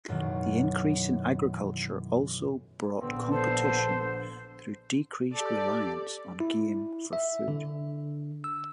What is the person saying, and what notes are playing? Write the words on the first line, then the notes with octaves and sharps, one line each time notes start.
The increase in agriculture also brought competition through decreased reliance on game for food.
A1 F#2 B2 D#3
A#1 D3 B3 C4
A4 C5
G4 A4 D5
E4
E5
D3
E6